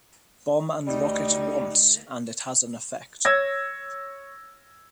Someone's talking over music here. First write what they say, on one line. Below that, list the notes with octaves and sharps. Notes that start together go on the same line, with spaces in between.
Bomb and rocket once, and it has an effect.
D2 G3 D#4
C#5 E6 G#6 A#6